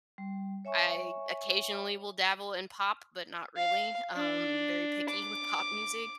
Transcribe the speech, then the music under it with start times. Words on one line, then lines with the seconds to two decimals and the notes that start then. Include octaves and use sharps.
I occasionally will dabble in pop, but not really. Um, very picky with pop music.
0.18 G3
0.65 C#5 E5 G#5 C#6
3.56 F5
4.16 D4
5.09 D6